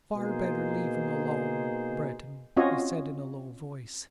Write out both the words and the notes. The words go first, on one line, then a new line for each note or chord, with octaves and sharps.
"Far better leave him alone, Breton," he said in a low voice.
B2 A#3 D#4 G#4 C5
C4 C#4 F4 F#4 C#5 D#5